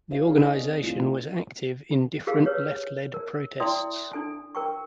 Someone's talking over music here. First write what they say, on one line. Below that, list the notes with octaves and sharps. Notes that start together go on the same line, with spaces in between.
The organisation was active in different left led protests.
F#4 B4 C#5 E5 F5
D#4 G#4 A4 C#5
D5
C4
A3 A#3 C4 E4 F4
F4
G4 G#4 A#4 F5
B4 C#5
A#4
E4 D5 E5 G5 C6 D#6
D4 A4 G#5
A#4 G5 C#6